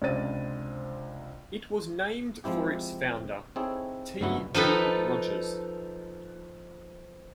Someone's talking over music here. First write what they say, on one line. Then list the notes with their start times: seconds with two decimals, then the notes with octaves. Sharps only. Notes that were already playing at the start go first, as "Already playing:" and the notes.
It was named for its founder, T. G. Rogers.
0.02 C#2 C3 D4 C5 A6 D#7
2.44 F3 G#3 C4 E4 G4
3.56 C4 D#4 E4 G#4 A4 C#5
4.21 G2 C#3 F#3 B3 E4 F#4
4.55 F3 D#4 A4 B4